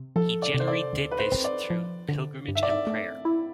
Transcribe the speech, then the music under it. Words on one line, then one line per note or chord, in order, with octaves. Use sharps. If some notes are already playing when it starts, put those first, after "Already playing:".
He generally did this through pilgrimage and prayer.
Already playing: C3
F3 A4
D5
C3
C5
D5
D2
B4
C5
C4
D5
F3
D3
G2
E5
D5
E5
A3
E4